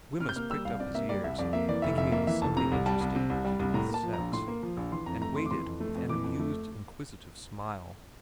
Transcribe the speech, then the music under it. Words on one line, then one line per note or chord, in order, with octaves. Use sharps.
Wemyss pricked up his ears, thinking it was something interesting to do with sex, and waited with an amused, inquisitive smile.
C3 F6
G6
A#3 F6
G3 E6
C2 F5
C3 D5
A#3 E5
G3 D5
C2 E5
F2 D5
A#3 E5
E3 D5
F1 E5
F2 E5
A#3 E5
E3 E5
F1 A5
C3 A#5
C2
G3 A5
C2
C3
C2
G3
C2
A2 A#5
A#3
A5
F3
A#1 A#5
A2 C6
A#3
F3
A#1
E3 C6
F2 A#5
A3 A#5
F2 C6
D6
E3 C6
F2
A3
F2
E3 D6
F2
A3